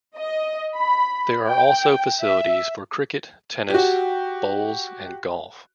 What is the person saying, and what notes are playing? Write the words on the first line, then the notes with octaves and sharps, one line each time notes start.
There are also facilities for cricket, tennis, bowls, and golf.
D#5
B5
G5
E5
F#4 G4